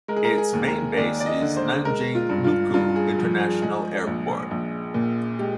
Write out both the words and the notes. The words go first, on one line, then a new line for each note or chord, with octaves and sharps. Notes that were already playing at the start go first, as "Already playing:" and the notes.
Its main base is Nanjing Lukou International Airport.
G#3 A#4
G#4
A#4
G#4
D#2
A#4
D#2 D5
D5
D#5
D3
C5
G#3 A#4
F4
G2
F4
G2 F4
G#4
F3
G#4
G#3 G#4
A#1
A#1
A#2
G#3 G4